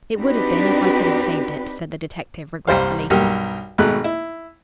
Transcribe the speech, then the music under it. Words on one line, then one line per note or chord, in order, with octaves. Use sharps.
"It would have been if I could have saved it," said the detective regretfully.
C4 D4 D#4 F#4 G4 B4
C2 G2 G3 C5 F5
B1 G2 G4 A#4
G#1 B2 G#3 A3 B5 F#6
E4